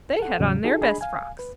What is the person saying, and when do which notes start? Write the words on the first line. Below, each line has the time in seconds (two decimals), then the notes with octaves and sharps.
They had on their best frocks.
0.20 A4 F#5
0.40 E2 A2 C#3 F#3
0.64 D#4 F#4 G#4 A4
0.81 D4 G#4 D#5 G#5 B5
1.01 F5 G#5
1.39 B4